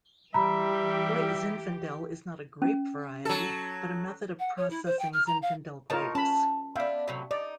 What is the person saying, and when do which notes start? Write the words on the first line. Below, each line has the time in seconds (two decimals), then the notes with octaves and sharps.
White Zinfandel is not a grape variety but a method of processing Zinfandel grapes.
0.34 E3 G3 G4 E5 A#5 B5
2.62 C#4
3.25 F#3 A4
4.39 F#5
4.57 C#5
4.70 E4
4.86 C5
4.99 G5
5.13 F6
5.26 A#5
5.42 F5
5.90 A2 D#4 F4 A#4 C#5 A5
6.15 C#4 A5 B5
6.76 B3 D4 E5 F5 G5
7.08 A2 C3 F#3
7.31 D#4 D5